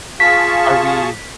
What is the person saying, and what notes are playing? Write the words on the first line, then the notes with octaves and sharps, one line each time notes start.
are we
F4 G#4 F5 A5 C#6 B6